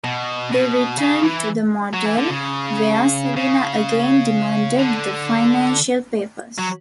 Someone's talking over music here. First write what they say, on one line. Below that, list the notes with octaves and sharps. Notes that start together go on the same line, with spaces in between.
They returned to the motel, where Selena again demanded the financial papers.
B2
B2
C#3
E3
F#3
E3
D3
C#3
C#3
D3
F#3